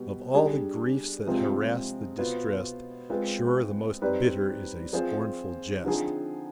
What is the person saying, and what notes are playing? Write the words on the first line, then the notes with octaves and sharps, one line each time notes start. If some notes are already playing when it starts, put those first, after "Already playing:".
'Of all the griefs that harass the distrest, Sure the most bitter is a scornful jest.'
Already playing: B2 G3 B3
G3 D4 G#4 D5
C3 F3 G#3 C4 F4
B2 B3 F4 C5
G#3 C4 F4 B4
G3 C4 D#4 B4 D5
F3 C4 F4 G#4 C5
D3 F3 C4 D#4 G#4